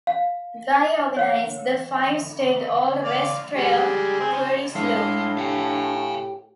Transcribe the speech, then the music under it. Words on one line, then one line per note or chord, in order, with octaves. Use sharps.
Guy organized the five-state Old West Trail Tourist Loop.
F5
C#5 F5 F#5
D5 F5
G3 G#3
C4 G#4
C#4 C5
A2 G#3 D4 F5 C6
G4 F5 G#5